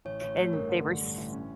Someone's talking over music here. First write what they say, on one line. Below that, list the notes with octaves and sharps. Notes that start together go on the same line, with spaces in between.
and they were s
A1 C#5
A1 C#5
A3 C#5
G2 A#4
D3
G2
G2
A1
C#4